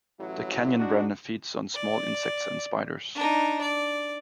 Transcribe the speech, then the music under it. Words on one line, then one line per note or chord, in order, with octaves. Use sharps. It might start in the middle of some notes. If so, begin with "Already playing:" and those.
The canyon wren feeds on small insects and spiders.
A1 F#3 E4
D4 D#4 F#4
D5
D4 D#4
D5